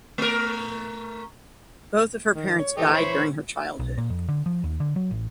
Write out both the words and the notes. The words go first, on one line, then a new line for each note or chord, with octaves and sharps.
Both of her parents died during her childhood.
A3 A#4
D#3
C#5
E3 A3 G4 D#5
C5 C#5 B5
B1
A#2
F2
D3
F3
D#2
D3
F#3
A1